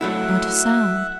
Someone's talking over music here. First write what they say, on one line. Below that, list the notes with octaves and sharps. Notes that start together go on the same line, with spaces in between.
Not a sound.
F#3 A3 E4 E5 F#5